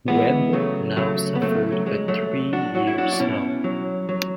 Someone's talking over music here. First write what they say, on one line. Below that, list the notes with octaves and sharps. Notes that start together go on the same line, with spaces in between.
Webb now suffered a three-year slump.
E3 G#3 B3
C#3 F#3 A3
C#3 F#3 A3
B3
C#3 F#3 A3
F#3
F#3 G#3
F#3 A3
F#3
D4 F#4
F#3 F#4
E4
D4 F#4
D4
B2 C#4 E4
F#3
F#3